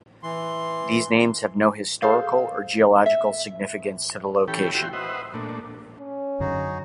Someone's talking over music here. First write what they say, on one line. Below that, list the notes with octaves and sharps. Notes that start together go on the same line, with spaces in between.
These names have no historical or geological significance to the location.
E3 C6
G#4 A4 C5 F5
E5
E3 C#4 G4 A4 G5 B5
E4 F#4 G4 G5 C6
B4 C5 D#5 E5 F#5
A#2 A3 D4
C#4
F#2 D3 D#4 F#4 G#4